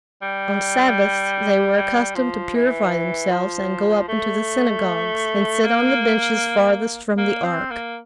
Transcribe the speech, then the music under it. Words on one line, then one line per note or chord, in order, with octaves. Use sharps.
On Sabbaths they were accustomed to purify themselves, and go up into the synagogues, and sit on the benches farthest from the ark.
G3
G3
F3
E3
F3
A3
A#3
A#3
C4
A#3